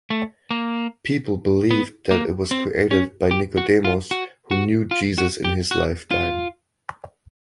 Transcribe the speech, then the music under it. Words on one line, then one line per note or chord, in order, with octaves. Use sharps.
People believe that it was created by Nicodemus who knew Jesus in his lifetime.
A3
A#3
B3
A#3
C4
C#4
G4
F#4
F4
F#4
F#4
F4
F#4
G4
F#4
F4